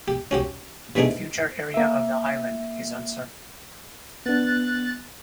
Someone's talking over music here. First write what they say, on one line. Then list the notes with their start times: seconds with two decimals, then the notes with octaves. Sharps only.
The future area of the island is uncertain.
0.08 G4
0.31 C#4 F#4 G4
0.95 C3 E3 A3 D4 D#4 G#4
1.74 A#3 E5
4.26 B3 D4 F#6 A6